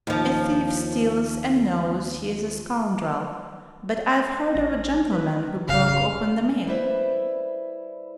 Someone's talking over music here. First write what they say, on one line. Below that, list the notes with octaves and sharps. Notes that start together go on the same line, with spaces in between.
A thief steals and knows he is a scoundrel, but I've heard of a gentleman who broke open the mail.
D#2 F3
A1 A#6
B4
A1 F#2 C#3 F5
G3 E4 B4 C5 E5